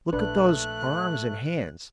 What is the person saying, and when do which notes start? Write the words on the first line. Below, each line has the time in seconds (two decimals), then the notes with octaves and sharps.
Look at those arms and hands!
0.13 A#1 A3 D4 B4 F#6